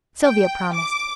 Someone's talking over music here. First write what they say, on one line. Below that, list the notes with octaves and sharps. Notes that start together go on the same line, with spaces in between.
Sylvia promised.
G5
D6